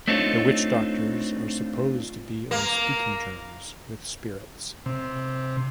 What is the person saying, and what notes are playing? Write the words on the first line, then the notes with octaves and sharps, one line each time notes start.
The witch-doctors are supposed to be on speaking terms with spirits.
A3 C4 D4 D#4 F4 C#5
A#3
C3